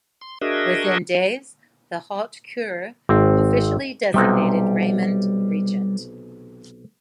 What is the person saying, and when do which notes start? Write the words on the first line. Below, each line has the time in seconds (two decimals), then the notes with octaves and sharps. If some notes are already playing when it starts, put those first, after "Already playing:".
Within days, the "Haute Cour" officially designated Raymond regent.
0.21 C6
0.41 D4 F#4 G#4 A#4 D#5 E5
3.09 G#1 C4
4.14 B1 C3 G3 D#4